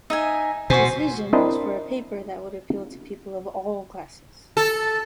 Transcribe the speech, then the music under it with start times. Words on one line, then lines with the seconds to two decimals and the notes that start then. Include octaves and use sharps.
His vision was for a paper that would appeal to people of all classes.
0.10 D#4 E5 G#5
0.70 B2 F#4 C5 G#5 C6 C#6
1.33 C4 D4 E4 A#4 C5 D#5
4.57 A4